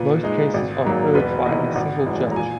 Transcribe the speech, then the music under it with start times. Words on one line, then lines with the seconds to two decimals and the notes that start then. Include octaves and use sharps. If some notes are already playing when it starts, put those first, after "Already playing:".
Most cases are heard by a single judge.
Already playing: A#2 B4
0.23 G#3 D#4
0.54 G#1
0.85 G#2 F#3 A#3
1.15 E1 B4
1.46 E2 D#3 A#3 E4 D#5
1.75 G#1 F#5
2.06 F#2 E3 G#3
2.31 A#5
2.36 A#2 G#5